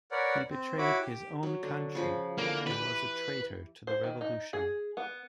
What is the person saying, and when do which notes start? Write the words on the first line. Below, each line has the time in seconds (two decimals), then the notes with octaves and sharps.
He betrayed his own country and was a traitor to the revolution.
0.12 A#4 B4 C#5 D5 F#5
0.50 C4
0.78 E4 F#4 C#5 B5 D6
1.00 G4
1.43 F#3
1.63 D3
1.95 C#3 F3 B5
2.38 D3 E3 A#3
2.66 E3 G4 B4
3.87 C5
4.04 D#3
4.21 D#4
4.53 G#4
4.97 B3